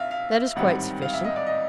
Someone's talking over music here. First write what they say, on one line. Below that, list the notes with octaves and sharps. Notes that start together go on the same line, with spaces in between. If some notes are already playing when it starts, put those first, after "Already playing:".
'That is quite sufficient.
Already playing: A#1 E5 F5
F5
A1 G#2 D#3 G3 C4 F#5
F5
E5
D#5
D5
D#5